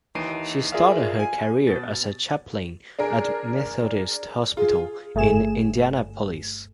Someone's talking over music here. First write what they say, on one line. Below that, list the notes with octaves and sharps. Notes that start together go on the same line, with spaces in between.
She started her career as a chaplain at Methodist Hospital in Indianapolis.
D#2 E3 D#4 C7 D7 D#7
F4 G#4 A#4 D5 E5 F5
G#5
B2 A6
D4 G#4 A#4
F4 G#4
G1 A3 G#4 G#5 E7